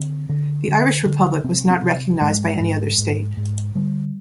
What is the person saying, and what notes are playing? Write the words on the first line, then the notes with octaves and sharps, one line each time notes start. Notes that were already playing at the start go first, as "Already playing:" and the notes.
The Irish Republic was not recognised by any other state.
Already playing: D3 C4
D3
D3
D3
C3 C4
C4
C3
G#2 G#3
G#2
G#2
G#2
D3 G3